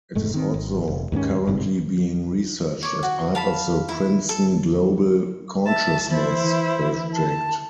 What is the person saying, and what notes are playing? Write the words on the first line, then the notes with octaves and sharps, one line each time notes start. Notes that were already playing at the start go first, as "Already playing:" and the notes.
It is also currently being researched as part of the Princeton Global Consciousness Project.
F1 G#2 A3
D#3 C4
G#1
F1
D#2 G#2 A#3 C#4
G1 G#2 C3
C#5 D6
F#4
F5 A5 B5
E4
A4
E5 A5
E3 E4 C5
A5